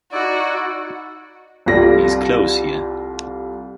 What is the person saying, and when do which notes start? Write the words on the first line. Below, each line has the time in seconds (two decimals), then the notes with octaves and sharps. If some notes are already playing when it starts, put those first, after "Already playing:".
He's close here.
0.12 D#4 E4 F#4 D5
1.66 C2 G3 F4 A4 D5 A#6